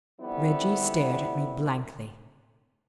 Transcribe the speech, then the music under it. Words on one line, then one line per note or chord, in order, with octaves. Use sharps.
Reggie stared at me blankly.
F2 D3 G3 B3 C4 E4